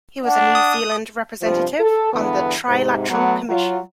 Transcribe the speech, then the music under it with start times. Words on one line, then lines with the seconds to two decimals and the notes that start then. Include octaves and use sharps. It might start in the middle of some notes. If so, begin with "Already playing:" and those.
He was a New Zealand Representative on the Trilateral Commission.
0.25 D4 F#5
0.55 D#6
1.42 G2 C3 F3
1.80 A4
2.14 E2 G2 D3 B3
2.68 G#2 C3
3.09 F#3 A3 B3
3.49 F#3 F4